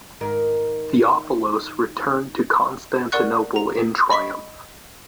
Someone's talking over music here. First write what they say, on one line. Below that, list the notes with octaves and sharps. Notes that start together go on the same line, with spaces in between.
Theophilos returned to Constantinople in triumph.
G#2 D#3 A#4
A#4 D5 F#5 C#6 F#6
A#5
D#5 B5 C#6 B6